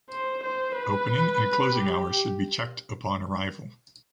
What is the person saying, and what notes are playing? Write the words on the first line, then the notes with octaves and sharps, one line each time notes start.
Opening and closing hours should be checked upon arrival.
C5
C5
B4
G4